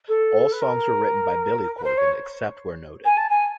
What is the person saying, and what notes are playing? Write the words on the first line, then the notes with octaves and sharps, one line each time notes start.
All songs were written by Billy Corgan, except where noted.
A4
B4
A#4
B4
C5
C#5
G#5
A5
G#5